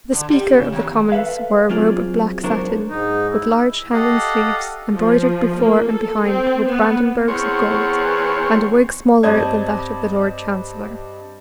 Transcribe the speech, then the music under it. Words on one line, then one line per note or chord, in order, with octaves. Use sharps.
The Speaker of the Commons wore a robe of black satin, with large hanging sleeves, embroidered before and behind with brandenburgs of gold, and a wig smaller than that of the Lord Chancellor.
D3
G3
G4
C#3
D#2
A4 B4 C#5 E5 F5
F#3 C4 F4 G#4 D5
B1 F#3 D4 A#4 C5 C#5
G#2 D#4
E4
G4 A4 D#5 F5 F#5
F3
A#3
A4
C4
B3
E2 C4 C#5
G2 C4 D5 D#5 A5 G#6